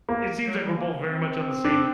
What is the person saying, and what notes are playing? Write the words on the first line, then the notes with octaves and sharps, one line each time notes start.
it seems like we're both very much on the same
A#3
F#3
G3
A#3
C4
D4